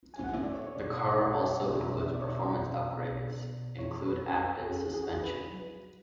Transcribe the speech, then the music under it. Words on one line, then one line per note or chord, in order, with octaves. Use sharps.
The car also includes performance upgrades include active suspension.
G#5
F#5
A3 E5
D5
C#5
C#5
B2 D5
F#5
A3 F#5
D5
E5
C#5
B2 D5
E5
B2 E5
D5
C#5
D5
B2
B2
B2
E4 C#5
B4
C#4
A4
A4
C#4 G#4
G#4
F#4
E4 G#4
B4
F#3